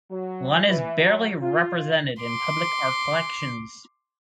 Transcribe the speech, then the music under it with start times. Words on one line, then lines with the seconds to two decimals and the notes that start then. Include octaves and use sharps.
Lunn is barely represented in public art collections.
0.10 F#3
0.66 E3
1.01 F#3
1.42 F4
2.23 C6 D6